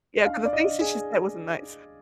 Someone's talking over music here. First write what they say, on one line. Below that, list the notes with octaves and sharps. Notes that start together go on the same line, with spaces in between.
Yeah, ‘cause the things that she said wasn't nice.
D#5
D4 F5
D5
D#5
D4
G#4